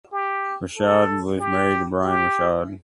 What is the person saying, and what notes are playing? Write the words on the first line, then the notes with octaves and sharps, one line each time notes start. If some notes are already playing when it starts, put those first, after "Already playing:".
Rashad was married to Brian Rashad.
G4
A4
G4
G4